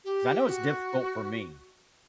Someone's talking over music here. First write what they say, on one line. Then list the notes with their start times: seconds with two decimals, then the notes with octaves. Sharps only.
'Cause I know it's difficult for me.
0.05 G4
0.45 F#4